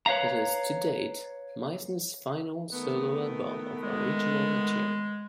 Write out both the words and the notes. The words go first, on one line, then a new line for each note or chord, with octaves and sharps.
It is to-date Meisner's final solo album of original material.
B4 C#5 E5 F5 A#5
D#3 A3 B3
G#3